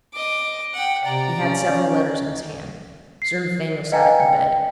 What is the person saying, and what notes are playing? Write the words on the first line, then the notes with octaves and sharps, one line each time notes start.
He had several letters in his hand. Sir Nathaniel sat up in bed.
D#5 D6
F#5 G5
C3 D5 A#5
C#4
C7
B4 D#5 F5 G5 G#5 A#5
G5